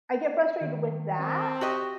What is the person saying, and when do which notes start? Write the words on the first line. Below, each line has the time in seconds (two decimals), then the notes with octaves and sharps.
I get frustrated with that,
0.61 D#3
1.20 C4
1.61 F#4 G4 D#5